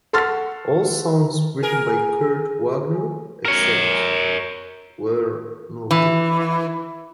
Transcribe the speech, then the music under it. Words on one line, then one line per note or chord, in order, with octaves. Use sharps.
All songs written by Kurt Wagner, except where noted.
A4 F#5 C6 C#6 F6 A6
G#4 A#4
A#4 C#5
E3